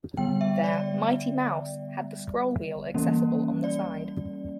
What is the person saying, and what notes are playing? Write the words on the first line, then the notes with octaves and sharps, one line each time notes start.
Their "Mighty Mouse" had the scroll wheel accessible on the side.
D3 G3 B3 G5
E5
D5
E3 G3 A#3 C#4
D5